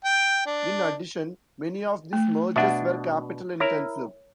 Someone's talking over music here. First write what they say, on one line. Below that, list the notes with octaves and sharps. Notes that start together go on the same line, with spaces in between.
In addition, many of these mergers were capital-intensive.
G5
D4
A3
B2 D4 E5 F#5
E4 A#4 C#5